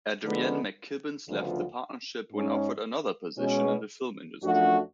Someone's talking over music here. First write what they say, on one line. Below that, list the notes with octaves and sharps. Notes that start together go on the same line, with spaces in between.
Adrienne McKibbins left the partnership when offered another position in the film industry.
D3 F3 G#3 B3
D2 C#3 F3 B3 F4
G#2 G#3 C#4
B2 G#3 C#4
F#2 F3 A3 D4 F#4